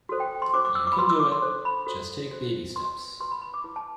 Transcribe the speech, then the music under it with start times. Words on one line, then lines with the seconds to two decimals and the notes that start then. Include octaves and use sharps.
You can do it. Just take baby steps.
0.09 F#4 A4 C5
0.20 G5
0.42 C6
0.54 D4 F#4 C5 D6
0.65 D6
0.75 E6
0.87 D6
0.92 B5
0.98 B4 C6
1.02 F#4
1.10 E6
1.20 D6
1.32 C6
1.42 D4 A4 C5
1.65 B5
1.87 D4 F#4 A4 C5
2.31 F#4 C5
2.75 F#4 B4 C6
3.20 F#4 B4 C6
3.31 B5
3.42 B5
3.54 D6
3.64 E4 B4
3.76 A5